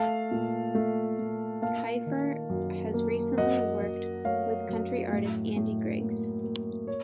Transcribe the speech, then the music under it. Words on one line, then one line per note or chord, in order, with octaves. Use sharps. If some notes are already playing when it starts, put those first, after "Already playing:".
Keifer has recently worked with country artist Andy Griggs.
Already playing: A3 F5 A5
A#2
A3
A#2
A#3 F5 A5
D#3
F#2
A#3
F#2 D#5 F#5
F#2
A3 C#5 F5
F#2
A2
A2
A#3
A#3
C#5